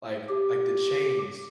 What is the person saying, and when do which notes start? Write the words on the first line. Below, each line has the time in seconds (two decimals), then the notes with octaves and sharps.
like like the chains.
0.29 G4